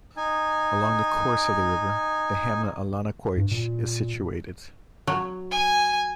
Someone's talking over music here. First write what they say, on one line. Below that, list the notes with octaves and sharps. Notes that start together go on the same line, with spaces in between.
Along the course of the river, the hamlet Allanaquoich is situated.
D#4 G#5
G2
A#2
F#3
G#5